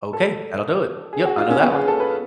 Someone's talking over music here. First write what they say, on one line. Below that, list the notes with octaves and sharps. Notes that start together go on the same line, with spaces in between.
Okay, that'll do it, yep, I know that one.
A4
G#4
F#4
F4
C#4
B3
G#4
A4
B4